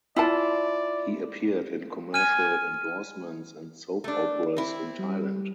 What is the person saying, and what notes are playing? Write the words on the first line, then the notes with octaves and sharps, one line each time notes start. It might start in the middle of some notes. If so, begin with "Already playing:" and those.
He appeared in commercial endorsements and soap operas in Thailand.
E4 F4 D5 A5
G#5 F6 D#7
A3 D4
C4 E4
G3